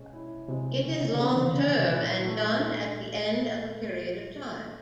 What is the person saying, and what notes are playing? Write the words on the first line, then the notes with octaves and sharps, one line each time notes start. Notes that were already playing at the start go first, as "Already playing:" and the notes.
It is long term and done at the end of a period of time.
Already playing: B2 G#3 C#4
E4
C3 G#3
C#3
C#4
D3
D3
C#3 G#3
E3
D#3
C#3 C#4
C3
A#2 E4
A3
A3